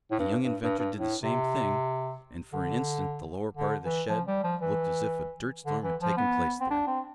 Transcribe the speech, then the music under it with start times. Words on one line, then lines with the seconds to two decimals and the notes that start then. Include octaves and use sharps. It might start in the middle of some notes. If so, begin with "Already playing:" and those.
The young inventor did the same thing, and for an instant the lower part of the shed looked as if a dirtstorm had taken place there.
0.11 A2
0.19 G2
0.44 G2
0.63 G2
0.79 G2
0.97 A2
1.23 C3
2.53 D3
3.57 D3
3.84 E3
4.09 F3
4.27 G3
4.44 F3
4.61 E3
5.66 D3
5.83 E3
6.01 F3
6.17 B3
6.60 C4
6.71 D4
6.87 C4